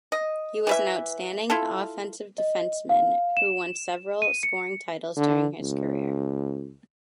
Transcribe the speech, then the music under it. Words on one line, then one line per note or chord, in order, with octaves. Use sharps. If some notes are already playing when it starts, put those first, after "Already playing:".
He was an outstanding offensive defenceman who won several scoring titles during his career.
D#5
E3 B4 E5
E4 F4 A4
D#5
F5
E7
D#7
C#7
D3
C#2